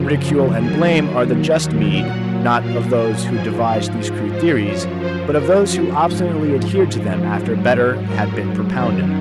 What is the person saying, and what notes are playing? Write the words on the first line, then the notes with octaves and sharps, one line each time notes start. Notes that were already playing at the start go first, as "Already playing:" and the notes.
Ridicule and blame are the just meed, not of those who devised these crude theories, but of those who obstinately adhered to them after better had been propounded.
Already playing: F#2 C#3 F3
D#2 D#3 F#3 G#5
A#2 F#3 F#5
F5
G#5
G#2 F3 G#5
F5
C5
F#2 F3 C#5
C5
A#4
F#4
G#2 F3
G#2 F#3
A#4
F#2 D#3 F#3 C5